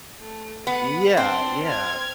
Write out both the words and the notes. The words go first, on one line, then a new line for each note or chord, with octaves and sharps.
Yeah, yeah.
A3
B3 F#5 D#7
C4 D4 C6
F6 G#6